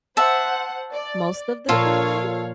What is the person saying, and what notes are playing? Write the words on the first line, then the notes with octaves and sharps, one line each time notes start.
most of the time
C5 E5 F#5 A5
D5
A#2 F3 F4 A4 A#4 C#5 F5